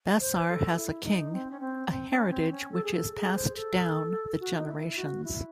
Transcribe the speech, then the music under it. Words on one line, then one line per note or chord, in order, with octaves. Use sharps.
Bassar has a King, a heritage which is passed down the generations.
C5
A4
E4
D#4
C4
C#4
C4
C4
C#4
C4
C#4
A4
G#4
A4
G#4
C5
A4
F#4
D#4
E4
F#4
E4